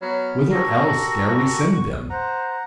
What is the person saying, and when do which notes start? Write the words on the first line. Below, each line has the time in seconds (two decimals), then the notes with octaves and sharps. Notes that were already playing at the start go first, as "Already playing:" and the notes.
Whither else dare we send them?
0.02 F#3 B3 B5 F6
0.52 F#4 G4 A4 A#4 A#6
2.10 C5 F#5 A#5